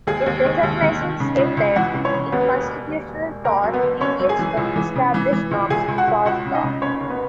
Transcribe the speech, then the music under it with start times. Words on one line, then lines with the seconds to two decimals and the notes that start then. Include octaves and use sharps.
In recognising state liability, constitutional tort deviates from established norms in tort law.
0.07 D#2 G#4 G#5
0.26 D#2
0.45 D#3
0.63 D#2
0.82 D#3
1.01 D#3
1.20 C#3
1.38 C#2
1.57 C#2
1.76 E3 F#4 F#5
1.94 C#3
2.05 C#4 C#5
2.14 C#3
2.32 D#2 B3 B4
2.52 E1
2.70 E1
2.89 D#2
3.08 E1
3.26 E1
3.44 F#1 A#4
3.64 F#2
3.73 B3 B4
3.83 F#1
4.01 F#1 C#4 C#5
4.20 F#2
4.29 G#4 G#5
4.39 E3
4.57 C#2
4.76 E3
4.96 C#3
5.14 E3
5.33 E3
5.51 C#2
5.70 C#2 G#4 G#5
5.88 C#2
5.98 F#4 F#5
6.07 C#2
6.26 C#2 F#4 F#5
6.45 C#3
6.54 D#4 D#5
6.64 C#3
6.82 F#1 C#4 C#5
7.01 F#1
7.10 B3 B4